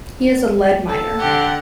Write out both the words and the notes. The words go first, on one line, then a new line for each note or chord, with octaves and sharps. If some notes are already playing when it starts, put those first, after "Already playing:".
He is a lead miner.
A4
D3 G4 F#5